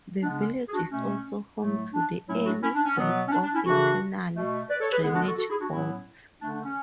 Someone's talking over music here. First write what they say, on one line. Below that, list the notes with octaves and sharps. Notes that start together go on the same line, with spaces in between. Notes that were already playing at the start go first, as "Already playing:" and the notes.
The village is also home to the Ely Group of Internal Drainage Boards.
C#3 G#3 B3 D4
D4
C#4
G#4
D4 F#4
B2 A3 C#4
A2 F#3 A3
D4
A2 F#3 A3 C#4 E4
D4 F#4
C#4 E4
D4
C#4
B2 F#3 B3
C#4
D4
D4
C#4 E4
C#3 E3 A3 D4 F#4
B2 A3
B4 D5
A4 C#5
G#4 B4
D3 G#3 B3 E4 G#4
D4 F#4
F#4 A4
F#4 A4
E4 G#4
D4 F#4
A2 F#3 B3 C#4 E4
D3 A3 D4
D4
C#4